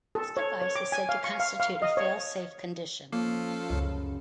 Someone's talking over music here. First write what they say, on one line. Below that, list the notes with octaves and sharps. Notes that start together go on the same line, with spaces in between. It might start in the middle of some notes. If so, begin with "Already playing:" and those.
This device is said to constitute a fail-safe condition.
A4
C#5
C#5
D6
G#5
F5
C#6
F5
F5
D#5
C#5
F3 A#3 C#4 A4 F5
C#2 F#2 C#3